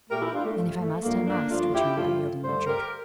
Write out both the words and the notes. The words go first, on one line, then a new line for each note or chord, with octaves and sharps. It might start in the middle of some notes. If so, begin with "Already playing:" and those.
"Then, if I must, I must," returned the yielding Richard.
A#2 A3 G4 A#4
E4 G4
D4 F4
A3
G2 F3 A3
A3
G2 F3 A3 A#3
A#3 D4
G2 F3 A3 D4 F4
E4 G4
G2 F3 A3 F4 A4
G2 D3 A3 A4 C5
G4 A#4